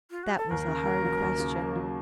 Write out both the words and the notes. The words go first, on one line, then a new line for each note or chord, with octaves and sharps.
That was a hard question.
F4
F#4
A4
D#2 A#4
C#3
A#3
F#3
D#2
C#3
A#3
F#3